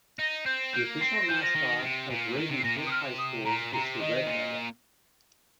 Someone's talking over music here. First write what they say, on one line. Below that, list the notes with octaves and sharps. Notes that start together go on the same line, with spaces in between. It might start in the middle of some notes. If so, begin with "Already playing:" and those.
The official mascot of Ravenswood High School is the Red Devil.
D#4 A#6
C4 G6
A#3 G6
C4 C7
A#6
F3 G6
A#6
D#3
C3
A#2
D#3
C3
C7
A#2 A#6
C3
D#6
F6
D#6
A#2 A#5
C3 A#5
D#3 D#5
A#2